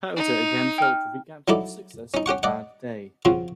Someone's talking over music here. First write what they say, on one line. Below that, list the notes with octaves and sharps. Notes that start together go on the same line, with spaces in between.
Powter again failed to re-capture the success of "Bad Day".
D#4
G5 F6
F#3 D#4 E4 A4 D5
C#4 D#4
C#4 G4 F#5 C#6
D5 D#5 F#5
C#3 F3 C4 F4 F#4